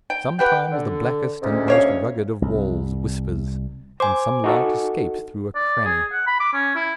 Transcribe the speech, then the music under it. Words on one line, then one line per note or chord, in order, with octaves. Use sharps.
Sometimes the blackest and most rugged of walls whispers, and some light escapes through a cranny.
G5
G4 B4 F#5 G5
D3
D2 G#2 C#4
A#3 C#5 F5
C2
C5 G#5 D6
D#4 F#4 A4
D5
G#4
F#5
B5
D6
C#4
E4